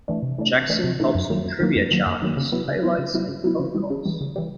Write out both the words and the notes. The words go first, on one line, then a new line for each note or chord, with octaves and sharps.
Jackson helps with trivia challenges, highlights and phone calls.
E3 A3 D4
C3
E3 A3 D4
C3
E3 A3 D4
C3
E3 A3 D4
F#2
D#3 F#3 A#3
F#2
D#3 F#3 A#3
F#2
D#3 F#3 A#3
F#2
D#3 F#3 A#3
C#3
F#3 B3 E4
C#3
F#3 B3 E4
C#3
F#3 B3 E4
C#3
F#3 B3 E4
C#3
E3 G3
C#3
E3 G3
C#3
E3 G3